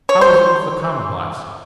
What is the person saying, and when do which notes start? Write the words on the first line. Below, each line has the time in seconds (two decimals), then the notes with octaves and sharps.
How is it with the common lives?
0.09 C#5
0.21 C5